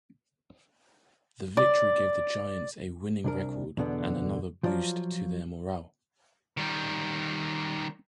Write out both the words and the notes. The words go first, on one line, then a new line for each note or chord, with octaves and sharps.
The victory gave the Giants a winning record and another boost to their morale.
D5
C2 D4 A#4
E2 B2 D3 B3
F3 F#3 F4 D5
D#3 G3